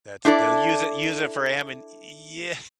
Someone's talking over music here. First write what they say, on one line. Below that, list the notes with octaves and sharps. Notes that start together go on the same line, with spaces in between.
That's they'll use it use it for ammon y
D4 E4 A4 D5